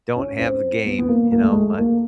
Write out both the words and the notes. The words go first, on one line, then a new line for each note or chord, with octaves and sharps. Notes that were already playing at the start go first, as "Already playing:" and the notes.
don't have the game, you know, my
C#4
C4
B3
B3
A#3
A#3
A3
G#3
A3
A#3